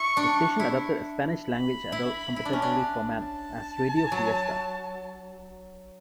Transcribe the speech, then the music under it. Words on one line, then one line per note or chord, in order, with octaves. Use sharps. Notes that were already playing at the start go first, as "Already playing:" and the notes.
The station adopted a Spanish language adult contemporary format as "Radio Fiesta".
Already playing: E4 C#6
D4
E4
B5
E4
E4
D4
C#4
D4
A5
F#3